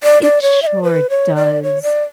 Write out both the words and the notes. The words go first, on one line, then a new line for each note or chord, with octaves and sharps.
It sure does.
D5
D5
C#5
E5
D5
B4
C#5
D5
C#5
D5